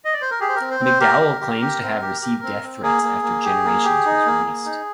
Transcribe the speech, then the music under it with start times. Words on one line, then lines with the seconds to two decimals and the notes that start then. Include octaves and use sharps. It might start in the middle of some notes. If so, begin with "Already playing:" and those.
McDowell claims to have received death threats after "Generations" was released.
0.05 D#5
0.13 D5
0.21 C5
0.31 A#4
0.40 G4 G#4
0.49 C5
0.56 A#4
0.61 C4
0.71 C5
0.80 C4
0.85 C5
1.00 G4 A#4
1.21 G4
1.41 G4
1.61 G4
1.82 C4
2.02 G4
2.22 G4
2.43 C4
2.63 C4
2.83 A#3 G#4
3.03 A#3
3.23 A#3
3.45 G4
3.65 A#3
3.84 G4
4.06 D#4
4.26 A#3
4.46 A#3
4.65 D#4